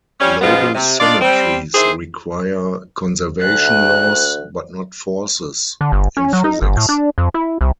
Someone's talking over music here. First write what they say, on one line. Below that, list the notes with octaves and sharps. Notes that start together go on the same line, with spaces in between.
Global symmetries require conservation laws, but not forces, in physics.
G3 C#4
F#2 F3 G#3 B3 F4
C3
D4 D#4 F4 D5
G3 C4
D#3 E4 G#4 C5
D2 F#6
D3
G1
C#4
F#3
D#4
G1
A2
D4
F2
E4
C2